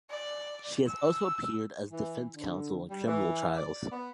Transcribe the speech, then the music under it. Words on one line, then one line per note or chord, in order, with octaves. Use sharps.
She has also appeared as defence counsel in criminal trials.
D5
E6
E3
D3
G3
E3
D5
B3